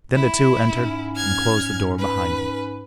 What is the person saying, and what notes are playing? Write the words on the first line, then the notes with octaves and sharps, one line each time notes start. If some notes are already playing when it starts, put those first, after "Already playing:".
Then the two entered and closed the door behind them.
E4
G#2 C#4
F6 G#6
B4